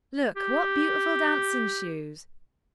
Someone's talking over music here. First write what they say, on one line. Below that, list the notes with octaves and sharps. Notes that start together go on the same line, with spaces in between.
"Look, what beautiful dancing shoes!"
G4